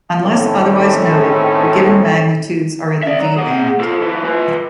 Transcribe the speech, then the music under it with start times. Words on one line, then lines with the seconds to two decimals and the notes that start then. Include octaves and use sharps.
Unless otherwise noted, the given magnitudes are in the V-band.
0.24 A2 D#3 A3 C4 C#4
3.03 D5 E5
3.20 F#3
3.37 G#4 F#5
3.80 F4 A4
4.00 F3 E4
4.25 F4 B4